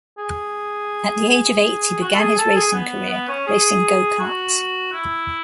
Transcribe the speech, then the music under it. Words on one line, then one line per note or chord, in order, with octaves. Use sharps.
At the age of eight, he began his racing career, racing go-karts.
G#4
G#4
F#4
A4
G#4
A4
G#4
B3
B3
C#4
G#4
F#4
E4